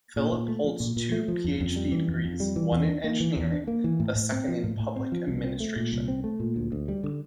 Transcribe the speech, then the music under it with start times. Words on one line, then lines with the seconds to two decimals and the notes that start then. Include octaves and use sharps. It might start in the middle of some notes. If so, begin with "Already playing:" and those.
Filip holds two PhD degrees, one in engineering, the second in public administration.
0.16 A#2
0.32 A#2
0.48 A3
0.64 F3
0.80 A#2
0.96 A#2
1.12 A3
1.28 F3
1.44 F2
1.60 F2
1.76 G3
1.92 E3
2.08 F2
2.25 F2
2.40 G3
2.56 E3
2.72 E2
2.88 D4
3.04 A#3
3.20 E3
3.36 E2
3.52 D4
3.67 A#3
3.84 E3
4.00 A2
4.15 A2
4.32 C4
4.48 F3
4.64 A2
4.80 A2
4.96 C4
5.12 F3
5.28 C2
5.44 C4
5.60 A3
5.76 A#2
5.92 C2
6.08 C4
6.24 A3
6.40 A#2
6.56 D2
6.72 D2
6.88 G3
7.04 D3